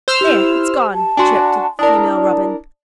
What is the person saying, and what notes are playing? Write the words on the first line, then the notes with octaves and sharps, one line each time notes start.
"There, it's gone!" chirped the female robin.
C5 E6 F6
E4 G4
A5
D4 F#4 G#5 C6
D4 E4 A#4 D5 A5 D#6